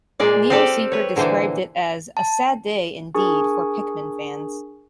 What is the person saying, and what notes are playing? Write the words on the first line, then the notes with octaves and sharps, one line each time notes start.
Neoseeker described it as a "sad day indeed for "Pikmin" fans".
A#2 G#3 D5
C4 F4 G4 A4 D5
B4 C#5
A#2 D3 E3 C5
A5
D4 G#4 A#4 G#5 C#6